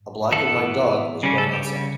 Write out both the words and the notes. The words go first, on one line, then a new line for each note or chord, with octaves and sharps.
A black and white dog is running on sand.
E3 B3 A4
C#3 G3 C#4
A4
G4